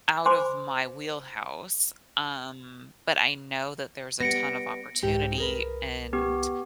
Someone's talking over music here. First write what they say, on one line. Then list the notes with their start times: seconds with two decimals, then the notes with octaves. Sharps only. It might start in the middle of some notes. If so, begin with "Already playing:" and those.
out of my wheelhouse, um, but I know that there's a ton of opportunity and
0.26 C5 G#5 B5 C6 D6
4.20 G3 B3 A#6 C#7 D7
5.03 C2 G#2 G4
5.38 G#4 A#4 B4
6.13 B3 G4